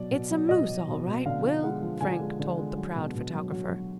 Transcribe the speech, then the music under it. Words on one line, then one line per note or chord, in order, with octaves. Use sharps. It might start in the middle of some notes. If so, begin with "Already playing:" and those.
"It's a moose, all right, Will!" Frank told the proud photographer.
Already playing: B2 F#3 D5
B2
F#3
B2 D#5
F#3
B2
B2
D3 F5
F3
G#3 F#5
F3
D3 G#5
G#3
D3
G#3
F#3
B2
B2
F#3
F#3
F#3